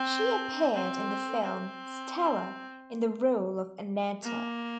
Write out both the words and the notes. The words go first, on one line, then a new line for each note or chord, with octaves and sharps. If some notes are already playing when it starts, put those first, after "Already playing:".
She appeared in the film "Stella" in the role of Anetta.
Already playing: C4
C4
C4
A#3